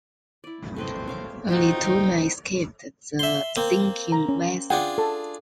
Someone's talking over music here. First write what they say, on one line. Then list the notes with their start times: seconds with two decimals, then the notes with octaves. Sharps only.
Only two men escaped the sinking vessel.
0.44 E4 D5
0.76 A3 C4 B4 D#5
1.08 C#5 F5 D6
1.48 C4 D#4 F4 F#4 G5
1.84 C4 E4 A#4
3.19 E5 C6
3.57 A#3 C4
4.12 A#5
4.29 C#4
4.70 D4 F4 G#4 F#5 G5
4.98 A4 A5